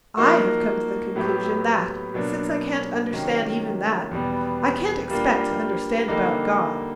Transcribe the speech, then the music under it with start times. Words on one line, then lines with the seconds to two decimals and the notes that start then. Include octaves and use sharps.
I have come to the conclusion that, since I can't understand even that, I can't expect to understand about God.
0.17 F3 A#3 D#4 F#4 A#4
1.16 A2 F#3 B3 E4 G4
2.14 B2 F#3 A#3 D4
3.13 C3 D#3 F#3 A#3 C#4
4.11 E2 B2 G3 B3
5.10 G3 A#3 D4 F4
6.08 D3 G3 A#3 D#4